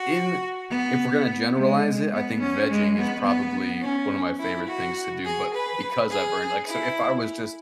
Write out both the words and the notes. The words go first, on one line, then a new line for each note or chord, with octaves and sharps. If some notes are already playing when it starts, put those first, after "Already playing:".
in, if we're gonna generalize it, I think vegging is probably one of my favorite things to do, but because I've earned, like so if I was just
Already playing: F#4
B3
G#3
B3
C#4
G#3
B3
B3
C#4
E4
F#4
G#4
B4
G#4
E4